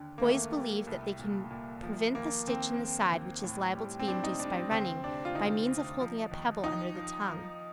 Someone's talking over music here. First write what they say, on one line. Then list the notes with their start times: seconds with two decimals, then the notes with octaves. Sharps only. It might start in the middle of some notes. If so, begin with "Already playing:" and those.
Boys believe that they can prevent the stitch in the side which is liable to be induced by running, by means of holding a pebble under the tongue.
Already playing: D#2 D3
0.18 A#3
0.22 D#2 A3
0.54 G3
0.87 C2
1.19 A#2
1.51 A#2
1.83 F3
2.15 D#2 A#3
2.47 D#2 C4
2.78 D#2
3.12 D#2
3.44 A2
3.75 G3
3.99 C4
4.07 A2 D4
4.24 D#4
4.39 G3 D4
4.55 C4
4.71 D2 C4
5.04 C3 D4
5.25 F4
5.35 D2 D#4
5.68 D2
6.00 F3
6.31 D#2
6.64 F3 D#4
6.95 F3
7.28 F3